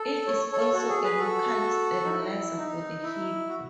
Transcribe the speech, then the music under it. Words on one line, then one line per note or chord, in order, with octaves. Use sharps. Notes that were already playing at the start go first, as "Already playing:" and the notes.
It is also a local stabilizer for the hip.
Already playing: A4
C#5
A4 C#5
F#4 A4
G#4
G#4 B4
F#4 A4
D#4
E4
D#4
E4
F#4